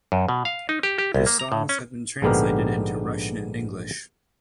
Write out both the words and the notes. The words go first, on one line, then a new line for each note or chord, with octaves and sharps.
His songs have been translated into Russian and English.
F#2
B2
F5
D#4
G4
G4
C2
A#3
A#5
A2
C#4
A#1 G#2 D3 B3 G4 A#4